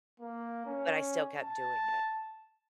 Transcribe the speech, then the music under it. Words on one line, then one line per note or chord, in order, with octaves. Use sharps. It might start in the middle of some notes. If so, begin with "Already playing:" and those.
But I still kept doing it.
A#3
C#4
A5